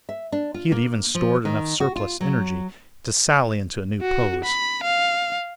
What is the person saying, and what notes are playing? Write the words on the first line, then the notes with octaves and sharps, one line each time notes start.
He had even stored enough surplus energy to sally into a new pose.
E5
D4
F4
A#3
F3
D#3
F#4
F4
F#3
F#4
B5
F5